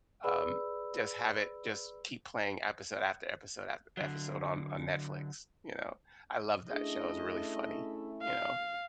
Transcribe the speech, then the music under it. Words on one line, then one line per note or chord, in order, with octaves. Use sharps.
Um, just have it just keep playing episode after episode after episode on on Netflix, you know. I love that show. It's really funny, you know.
G#4 B4 D5 B5 E6
D3 F#3
A3 C#4 D4 E4 G#4 D#5
F5